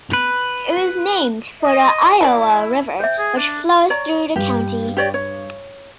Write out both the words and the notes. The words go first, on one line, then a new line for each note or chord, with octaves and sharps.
It was named for the Iowa River, which flows through the county.
B4
D#5
E4 D5 E5 A5
C5 E5 G5
G#4
D4
C#5 D5 A#5
G2 G4
G4 C#5 D5
C#5